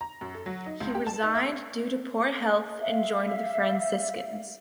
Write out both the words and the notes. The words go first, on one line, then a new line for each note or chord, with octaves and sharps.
He resigned due to poor health and joined the Franciscans.
A#5
F#2
A4
F#3
D#4
C#2
G4
A5
D#4
E5
E5 F5